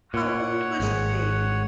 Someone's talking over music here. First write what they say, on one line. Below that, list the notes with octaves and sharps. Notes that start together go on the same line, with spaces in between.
How old was the baby?
A#2 C#5 F#5
G#1 G#3